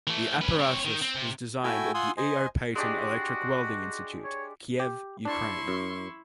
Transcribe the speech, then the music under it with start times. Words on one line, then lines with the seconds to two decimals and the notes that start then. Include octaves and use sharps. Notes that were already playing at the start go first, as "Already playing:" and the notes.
The apparatus was designed at the E. O. Paton Electric Welding Institute, Kiev, Ukraine.
0.07 E3 A3
0.42 C#4 B4
0.59 C4 C#5
0.85 D#3
1.01 C4
1.15 C3
1.64 A3 E4 F#4 G5 G#5 E6
1.94 F4 F#5 G#5 C6 D#6 E6
2.17 C5 D#5 G#5
2.75 G#3 D4 F#4 G4
4.24 C#5
4.80 G4
5.25 D4 E4 D5 C6 C#6
5.68 F#2